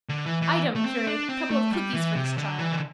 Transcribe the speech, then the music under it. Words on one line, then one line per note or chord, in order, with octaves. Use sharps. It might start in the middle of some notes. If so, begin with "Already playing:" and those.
Item, curate, couple of cookies for this child.
D3
E3
E3
A3
C4
D4
C4
A3
G3
E3
C3
D3
E3
D3